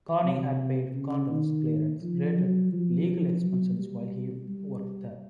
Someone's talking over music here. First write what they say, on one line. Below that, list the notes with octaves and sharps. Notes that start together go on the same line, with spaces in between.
Corning had paid Condon's clearance-related legal expenses while he worked there.
C3
C#3
D#3
F3
F#3
F3
F3
F#3
G3
G3